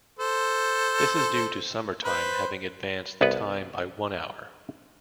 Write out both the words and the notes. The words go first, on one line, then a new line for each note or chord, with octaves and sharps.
This is due to summer time having advanced the time by one hour.
A4 C5
B4 C5
C2 B3 B4